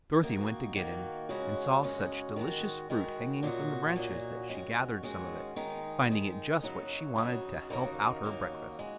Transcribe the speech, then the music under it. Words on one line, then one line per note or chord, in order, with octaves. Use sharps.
Dorothy went to get him, and saw such delicious fruit hanging from the branches that she gathered some of it, finding it just what she wanted to help out her breakfast.
D#3 A#3 F#4
D#3 A#3 F#4
F#2 C#3 G#3 C#4 F#4
F#2 C#3 G#3 C#4 F#4
D#3 G#3 F#4
D#3 G#3 F#4
A#2 F#3 D#4 F#4
A#2 F#3 D#4 F#4
D#3 G#3 C#4 F#4
D#3 G#3 C#4 F#4
D#3 G#3 D#4
D#3 G#3 D#4
C#3 F#3 D#4 F#4
C#3 F#3 D#4 F#4
D#2 C#3 A#3 D#4 F#4
D#2 C#3 A#3 D#4 F#4
G#3 F#4